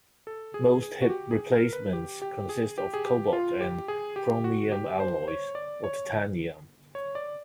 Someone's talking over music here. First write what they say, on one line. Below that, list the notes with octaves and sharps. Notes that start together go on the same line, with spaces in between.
Most hip replacements consist of cobalt and chromium alloys, or titanium.
A4
G#4
G#4
F#4
G4
G#4
A#4
B4
G4
G4
G#4
G4
G#4
G4
F4
G4
G#4
G4
F#4
G4
C5
C#5
D5
C#5
C#5
D5